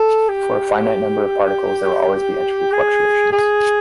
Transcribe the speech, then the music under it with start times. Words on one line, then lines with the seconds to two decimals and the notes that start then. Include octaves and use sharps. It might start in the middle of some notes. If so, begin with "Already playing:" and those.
For a finite number of particles, there will always be entropy fluctuations.
Already playing: A4
0.29 G4
2.72 G#4
3.32 G#4